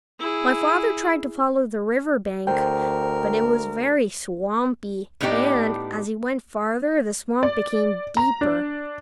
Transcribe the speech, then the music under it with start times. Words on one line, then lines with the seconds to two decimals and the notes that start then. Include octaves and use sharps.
My father tried to follow the river bank but it was very swampy, and as he went farther the swamp became deeper.
0.20 E4 G#4
2.47 D2 A#4 C5 G5
5.21 A2 B3 D4 D#4 G4 D5
7.43 D5
8.17 A#5
8.41 D4